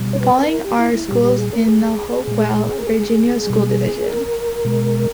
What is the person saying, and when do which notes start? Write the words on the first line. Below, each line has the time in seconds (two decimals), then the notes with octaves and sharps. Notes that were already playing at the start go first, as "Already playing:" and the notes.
The following are schools in the Hopewell, Virginia school division.
Already playing: B2 G3
0.13 C#5
0.20 B4
0.43 B4
0.49 A#4
0.64 G4
0.79 E4
0.94 E4
1.08 A#2 G3 G4
1.23 G4
1.38 G#4
1.53 A#4
1.67 G#4
2.28 A#2 G#3
2.78 A#4
2.87 G#4
3.47 B2 G3
4.06 A#4
4.65 B2 G#3